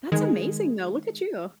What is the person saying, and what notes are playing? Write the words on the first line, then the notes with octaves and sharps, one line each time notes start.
That's amazing, though. Look at you.
D#3 G#3